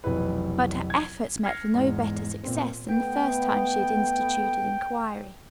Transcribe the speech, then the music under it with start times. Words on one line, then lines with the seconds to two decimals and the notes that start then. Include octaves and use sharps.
But her efforts met with no better success than the first time she had instituted inquiry.
0.04 F1 B1 E3 E4 B4
0.90 G#6
1.45 F6 G#6 A#6 C7 C#7
1.74 E2 G#2
2.44 A#2 B3 C4
2.89 A3 B3 G5